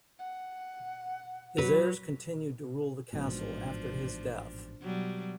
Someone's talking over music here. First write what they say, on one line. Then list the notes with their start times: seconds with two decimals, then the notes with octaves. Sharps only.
His heirs continued to rule the castle after his death.
0.19 F#5
1.58 F#3 B4
3.13 A1 G#2 B2 F3 D4
4.82 B2 F#3 G3